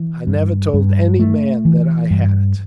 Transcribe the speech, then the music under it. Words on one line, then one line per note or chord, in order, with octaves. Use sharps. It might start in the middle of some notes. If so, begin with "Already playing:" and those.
"I never told any man that I had it."
Already playing: E3
G2
G2
A3
E3
G2